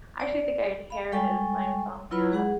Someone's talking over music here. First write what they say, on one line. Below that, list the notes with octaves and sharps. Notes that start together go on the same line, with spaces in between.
I actually think I inherited my insomnia.
D5
F5 B5
G3 G#3 A4 G5 G#5 C#6
F#3 E4 F4 B4 B5
G#3 G#4 F#5